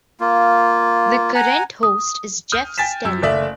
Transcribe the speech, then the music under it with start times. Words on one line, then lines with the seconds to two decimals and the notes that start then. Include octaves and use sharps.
The current host is Jeff Stelling.
0.20 A#3 F4
1.35 F#5 G#5 A#5
1.83 D#6
2.52 D#6 F6 G6
2.78 G5 G#5 A6 B6 E7
3.05 F#2 E6
3.22 F#1 A3 D5 E5 D#6 F#7